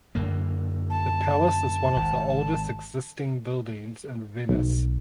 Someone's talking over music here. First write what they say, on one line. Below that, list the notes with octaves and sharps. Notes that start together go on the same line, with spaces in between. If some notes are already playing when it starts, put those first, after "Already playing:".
The palace is one of the oldest existing buildings in Venice.
F#2 D3 A#3
A5
G#1
B1